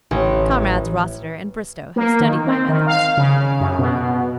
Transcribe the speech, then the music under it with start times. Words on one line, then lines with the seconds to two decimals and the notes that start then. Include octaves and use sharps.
Comrades Rossiter and Bristow have studied my methods.
0.11 A1
1.96 A#3
2.20 D#3
2.47 C4
2.69 D#3
2.87 F5
3.17 C#3
3.60 F#2
3.79 B2